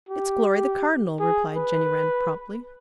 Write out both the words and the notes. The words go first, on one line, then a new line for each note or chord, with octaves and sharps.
"It's Glory the Cardinal," replied Jenny Wren promptly.
G4
G#4
B4